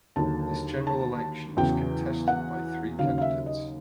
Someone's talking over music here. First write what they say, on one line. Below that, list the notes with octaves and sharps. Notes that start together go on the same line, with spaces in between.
This general election was contested by three candidates.
D#2 D3 F#3 A5
A5
E2 C#3 F#3 G5
F#5
D#2 C#3 F#3 F5
F5
E5
D#5